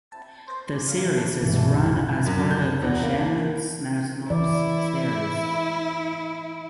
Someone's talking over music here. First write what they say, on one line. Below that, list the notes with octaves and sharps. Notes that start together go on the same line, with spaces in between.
The series is run as part of the Shannons Nationals series.
E3
F1 C#2 G2 B2 E3
F#2
G6
E2
A#3
E3 E4 D5